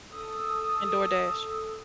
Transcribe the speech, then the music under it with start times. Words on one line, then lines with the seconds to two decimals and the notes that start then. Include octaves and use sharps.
And DoorDash
0.11 A4 D#6 E6